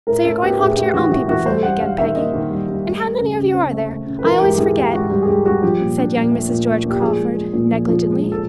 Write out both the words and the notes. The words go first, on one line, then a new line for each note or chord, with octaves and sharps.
"So you're going home to your own people for the week end, Peggy?--And how many of you are there,--I always forget?" said young Mrs. George Crawford, negligently.
A2 A#4
A2 A4
B3 G4
A2 G#4
A2 G4
E3 F#4
E3 F#4
E3 F#4
G3 C5
G3 F#5
G3 F5
D#3 E5
A#3 D#5
D#3
G3
G3
A3
A3
C#3
C#3
C4
A3
A3
C#3
B4
E3 A#4
G#2 G4
G4
E3 G#4
G#2 G4
G#2 F#4
G3 G4
G#4
G#2 G4
G3 F#4
F3 G4
A#2
D4
A#2
A3
A#2
A3
A#2
G4
F3 G#4
G#3
G#3
A#2
F3
F3
G#3
F3
A4